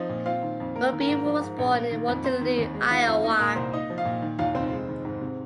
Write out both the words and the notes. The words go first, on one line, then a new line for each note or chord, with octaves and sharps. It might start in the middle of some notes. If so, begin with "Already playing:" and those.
Roby was born in Waterloo, Iowa.
Already playing: F3 C4 D#4
A#2
C4 F4 F5
D#3
F2
A#3 A#4
D#3
A#4
G#2
F3
G#2
A#1
A#3
D#3
F2
C4 C5
D#3
D#2
G#3
D#3 F4 F5
F2 F4 F5
A#3 D#4 D#5
A#2 A#4
C2 C4 C5
A#3 D#4 D#5
F3
F4 F5
A#2
D#3
D#2 F4 F5
F1 C4 C5
G#3
D#3
G#2
C3